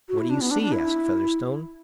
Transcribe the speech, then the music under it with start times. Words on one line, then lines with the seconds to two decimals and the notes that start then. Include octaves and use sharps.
"What do you see?" asked Featherstone.
0.09 F#4
0.19 E4
0.30 D4
0.41 B3
0.51 D4
0.62 D4
0.72 E4